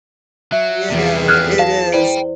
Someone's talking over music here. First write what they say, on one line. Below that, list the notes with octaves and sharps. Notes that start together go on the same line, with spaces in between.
Yeah, it is.
F#3 E5
E2 C3 E3 G3 G#4
F2 G3 F6 F#6 G#6
F5 A5 B6
E4 C5 D5 G5 B5